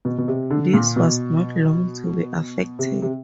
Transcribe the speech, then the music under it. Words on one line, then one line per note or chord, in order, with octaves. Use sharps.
This was not long to be effected.
B2
B2
C3
D3
A#2
B2
C3
C3